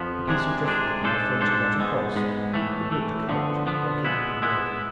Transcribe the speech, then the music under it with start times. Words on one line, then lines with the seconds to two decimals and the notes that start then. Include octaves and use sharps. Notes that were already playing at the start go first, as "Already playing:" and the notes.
The piece of driftwood now floated not across, but with the current, rocking and whirling.
Already playing: F2 F3 B3
0.28 C3 G#3 D4 G#4
0.65 C3 G#3 D4 G#4
1.03 G#2 G#3 D4 A4 C5
1.41 G#2 G#3 D4 A4 C5
1.79 G#2 G#3 B3
2.16 G#2 G#3 B3
2.54 A2 E3 A3
2.91 A2 E3 A3
3.29 D3 F3 B3
3.66 D3 F3 B3
4.05 G#3 B3 E4
4.42 G#3 B3 E4